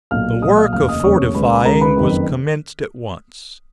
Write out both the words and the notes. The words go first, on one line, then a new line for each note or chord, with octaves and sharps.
The work of fortifying was commenced at once.
B1 A#2 F5 F6
B1 A#2 D#5 D#6
F5 F6
F1 D#2 C#3 F5 F6
D#5 D#6
D#6
F1 D#2 C#3 C#5 C#6
C#2 C#3 B4 B5
B5
C#2 C#3 A#4 A#5
B4 B5
F#1 F2 D#3